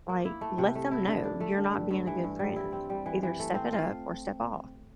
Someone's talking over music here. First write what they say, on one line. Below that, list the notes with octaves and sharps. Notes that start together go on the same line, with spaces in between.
like, let them know, "You're not being a good friend. Either step it up or step off,"
A#3
E4
A3
C3
A3
E4
D3
D4
A3
D3
G2
G2
E3
G2
G3
E4
C4
G3
E3
E3
A3
C4
F4